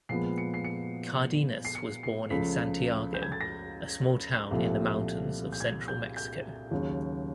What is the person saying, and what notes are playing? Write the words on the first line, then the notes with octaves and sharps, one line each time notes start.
Cardenas was born in Santiago, a small town in the mountains of central Mexico.
A#2 F3 G#3 B3 C7
C#7
C7
C#7
C7
C#7
C7
C#2 C#3 F3 A3 B6
G6
G#6
A6
A#6
C2 A#2 F3 A3
G6
G#6
G6
G6
D#2 C#3 F#3